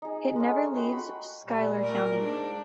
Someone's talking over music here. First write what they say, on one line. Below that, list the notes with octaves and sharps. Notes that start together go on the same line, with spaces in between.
It never leaves Schuyler County.
D#4 G#4
G#3 A3 C#4
F#4 B4 G5 C6
F#4 B5
A#2 G3
A3 A#4
G#2 D4